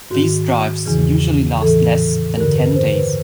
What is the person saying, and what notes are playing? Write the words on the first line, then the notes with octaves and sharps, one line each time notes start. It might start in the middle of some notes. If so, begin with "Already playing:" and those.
These drives usually last less than ten days.
G#2 D#3 F#4
E2 C#3 E3 G#4
A2 E3 A4
G2 D3 A#4
B4
C5
B4